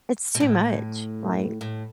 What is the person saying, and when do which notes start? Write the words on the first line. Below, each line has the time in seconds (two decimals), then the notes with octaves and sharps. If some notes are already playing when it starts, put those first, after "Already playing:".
it's too much, like,
0.35 B2
0.40 A2
1.61 A2